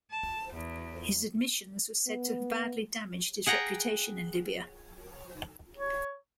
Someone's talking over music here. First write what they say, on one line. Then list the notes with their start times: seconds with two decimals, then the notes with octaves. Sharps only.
His admissions were said to have badly damaged his reputation in Libya.
0.10 A5
0.52 E2
2.08 B3
3.46 G#4 F#5 G5 A#5
5.76 C#5